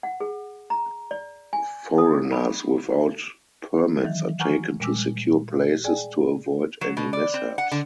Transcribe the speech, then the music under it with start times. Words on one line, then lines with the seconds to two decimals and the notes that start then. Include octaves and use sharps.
Foreigners without permits are taken to secure places to avoid any mishaps.
0.03 F#5
0.20 G#4
0.70 A#5
1.11 D5
1.53 G#5
1.98 D#6
2.32 B5
4.04 D#3 E3 F#3
4.40 F#5 G#5 A#5 C#6 D6 F6
4.80 A#2 G3 G#3 D6 E6
5.84 G#4 D5 G5 G#5
6.81 F#3
6.97 B2
7.13 D5
7.34 C4
7.58 F#5
7.72 D3